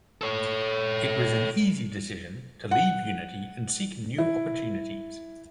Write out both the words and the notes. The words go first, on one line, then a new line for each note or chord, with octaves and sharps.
It was an easy decision to leave Unity and seek new opportunities.
A4 C#5
F#5
E4